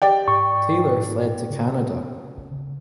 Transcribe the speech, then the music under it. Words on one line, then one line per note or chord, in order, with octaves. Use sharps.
Taylor fled to Canada.
G4 D5 G5
G#2 C#6
C#3